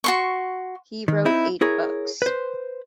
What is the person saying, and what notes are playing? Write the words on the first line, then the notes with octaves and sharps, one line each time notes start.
He wrote eight books.
F#4 C6 C#6
D#3
C4 D#4 E4
E4 G#4 A#4 C#5
B4 C5